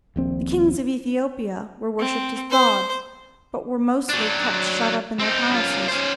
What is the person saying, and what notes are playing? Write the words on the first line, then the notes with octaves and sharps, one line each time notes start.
The kings of Ethiopia were worshipped as gods, but were mostly kept shut up in their palaces.
D#1 A#1 C4
C4
C5
F#3 D4
C4 D#4
F#2 F4
C#4 C5